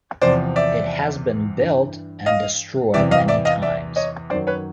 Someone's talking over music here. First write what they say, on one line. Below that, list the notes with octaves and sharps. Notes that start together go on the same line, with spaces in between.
It has been built and destroyed many times.
E2 C3 F3 C5 D5
D5 E5
G2 E3
D#5 F5
E2 C3 E3 D5 E5
D#5 F5
D5 E5
D#5 F5
D5 E5
C#5 D#5
F#2 D#3 F#3 C5 D5
B4 C#5